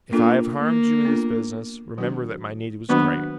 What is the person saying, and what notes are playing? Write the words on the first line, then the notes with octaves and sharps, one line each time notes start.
If I have harmed you in this business, remember that my need was great.
A#3 B3 D4 F4 A4
A#3
B3 D4 F4 A4
D#3 F#3 A#3 D4 F#4
D#3 F#3 A#3 B3 D4 F#4